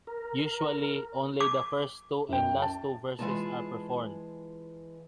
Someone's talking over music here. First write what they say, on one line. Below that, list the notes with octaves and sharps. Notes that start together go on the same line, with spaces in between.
Usually, only the first two and last two verses are performed.
A#4
D6
F#2 G5
A5
E3 G#3 F4 G#4 A5